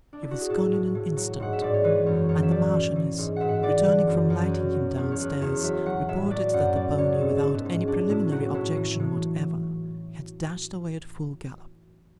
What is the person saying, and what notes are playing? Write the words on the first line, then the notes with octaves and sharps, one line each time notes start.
He was gone in an instant; and the Marchioness, returning from lighting him down-stairs, reported that the pony, without any preliminary objection whatever, had dashed away at full gallop.
D4
E4
F#4
G#4
A2 A4
A2
A2
F#3
G#2 F#5
E5
G#2 D5
C#5
E3 B4
F#2 C#5
F#2 C#5
E5
A2 D5
E3
E3
G#2
G#2 E5 F#5
F#5
E5
E3 D5
D3
F#2
F#2
F#3
F#3
E2
C#5
E2 B4
E2 C#5
F#3 E5
F#3 F#5
A2 E5
E5
F#3 D5
F#2 F#5
F#3 D5
D3 C#5
G#4
G#2 A4
A4
G#2
B3
G#2
C#4
F#3 D4
A2 E4
F#3 F#4
A2 E4
E3
A2